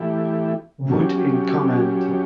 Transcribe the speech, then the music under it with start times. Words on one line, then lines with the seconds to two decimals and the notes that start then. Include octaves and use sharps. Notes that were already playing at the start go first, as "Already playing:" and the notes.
Wood in command.
Already playing: E3 A3 E4 G4
0.89 F#3 C#4 G4